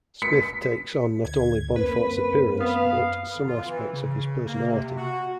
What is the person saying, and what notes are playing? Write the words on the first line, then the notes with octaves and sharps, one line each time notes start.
Smith takes on not only Bonforte's appearance, but some aspects of his personality.
B6 C#7
D2 G#6
F#2 A#3 C4 B4
B3 F5
D3
F4
E3
C#3
A#3
C3
F#4